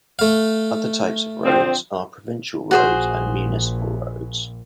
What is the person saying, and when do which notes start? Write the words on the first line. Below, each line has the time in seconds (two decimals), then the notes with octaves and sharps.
Other types of roads are provincial roads and municipal roads.
0.19 A3 F5
1.45 D3 F3 C4
2.71 A#1 F#4 G#4 C5